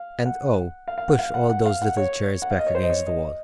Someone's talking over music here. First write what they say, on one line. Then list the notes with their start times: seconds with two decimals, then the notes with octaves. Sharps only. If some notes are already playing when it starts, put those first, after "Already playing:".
And oh! push all those little chairs back against the wall.
Already playing: F5
0.26 F#5
0.88 F5
0.98 F5
1.08 F#5
1.19 F5
1.34 F#5
1.50 F#5
1.66 F5
1.82 F#5
1.97 C#5
2.42 F#5
2.51 F5
2.59 D#5
2.66 C#5
2.75 C5
2.83 D#5
2.90 C#5
3.06 D#5